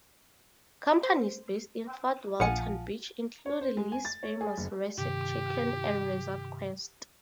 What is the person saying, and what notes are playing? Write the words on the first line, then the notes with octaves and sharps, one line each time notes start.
Companies based in Fort Walton Beach include Lee's Famous Recipe Chicken and ResortQuest.
C5
A#1 F3 F#5 G#5 C#7
C#5
C5
G#3
G#5
A6
C#5
G#4
F#1
G2 C3 D#3 G4